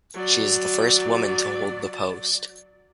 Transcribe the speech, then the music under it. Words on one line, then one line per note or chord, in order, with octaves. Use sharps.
She is the first woman to hold the post.
F#3 D5